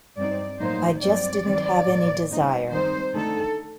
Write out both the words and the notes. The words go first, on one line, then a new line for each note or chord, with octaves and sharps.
I just didn't have any desire.
G2 F#3 C4 D#4 D5
A2 F#3 A#3 D#4 C5
G2 F#3 C4 D5
D#3 F#3 C4
A2 F#3 A#3
A#2 G3 C4 D#4
D#3 G3 C4 D#4 C5
D3 A3 D#4 A4